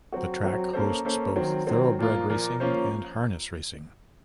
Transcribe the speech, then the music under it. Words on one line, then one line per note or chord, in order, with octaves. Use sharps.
The track hosts both thoroughbred racing and harness racing.
F#3 C4 F#4
F#3 C4 F#4
A#3 C#4 A4 C5
A#3 C#4 A4 C5
D#3 F#3 C4
D#3 F#3 C4
A#2 F3 A#3 F4
A#2 F3 A#3 F4
F3 A#3 C#4 F4 C5